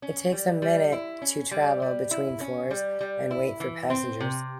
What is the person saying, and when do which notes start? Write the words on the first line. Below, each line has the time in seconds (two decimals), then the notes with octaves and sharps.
It takes a minute to travel between floors and wait for passengers.
0.02 C#4
0.32 G3
0.62 G3
0.92 E4
1.22 C#4
1.51 G3
1.82 G3
2.11 E4
2.41 C#4
2.71 G3
3.00 G3
3.31 E4
3.60 E3
3.90 C4
4.20 C3